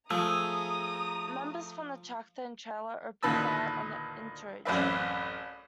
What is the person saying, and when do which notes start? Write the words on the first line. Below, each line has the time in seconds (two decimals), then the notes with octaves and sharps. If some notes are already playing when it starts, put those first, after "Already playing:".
Members from the tractor and trailer opened fire on the entourage.
0.11 F3 A3 G#4 A5 A#5 D#6 E6
3.23 D2 A#2 D#3 B4 A5 E6
4.65 A1 F#2 C4 B4 D5 E5